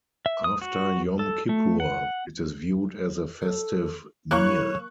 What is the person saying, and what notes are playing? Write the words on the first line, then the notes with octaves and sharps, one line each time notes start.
After Yom Kippur, it is viewed as a festive meal.
E5
D#6
F#4
A4
A3
F#5
A4
A#3 E4 C#5 C#6 F#6